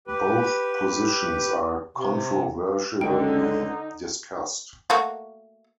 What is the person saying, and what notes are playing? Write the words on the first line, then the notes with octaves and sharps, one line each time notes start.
Both positions are controversially discussed.
G4 B4
C3
C#2 D3 D#4 G5
A3 A#3 F#4